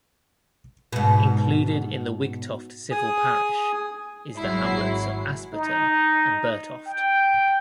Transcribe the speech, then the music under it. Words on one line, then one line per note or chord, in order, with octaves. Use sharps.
Included in Wigtoft civil parish is the hamlets of Asperton and Burtoft.
G#2 B2
G#4 G#5 D#6
G#1 F#3 G#3 E4 C7
D#4
G5